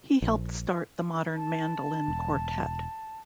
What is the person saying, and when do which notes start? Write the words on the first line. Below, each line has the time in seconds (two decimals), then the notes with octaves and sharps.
He helped start the Modern Mandolin Quartet.
0.22 A#1
1.36 A5
2.08 E1